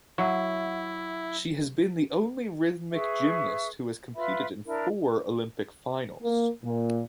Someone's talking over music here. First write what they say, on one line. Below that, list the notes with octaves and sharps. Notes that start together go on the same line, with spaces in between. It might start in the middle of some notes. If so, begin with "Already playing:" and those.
She has been the only rhythmic gymnast who has competed in four Olympic Finals.
F#3 E4 E5 F#5 C#6
G#4 B4 E5 C#6
F4 B4 E5 B5
D4 E4 A#4
A#3
A#2